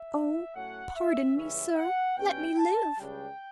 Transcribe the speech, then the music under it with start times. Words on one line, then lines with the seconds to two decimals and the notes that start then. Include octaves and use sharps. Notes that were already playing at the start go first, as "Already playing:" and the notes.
"Oh, pardon me, sir; let me live!"
Already playing: E5
0.53 A2 F#3 A3 C#4 F#5
0.94 E5
1.35 C#2 C#3 E3 G3 C#4 E5
1.76 F#5
2.16 B2 G3 C#4 G5
2.58 A5
2.98 C#2 C#3 G3 D4 G5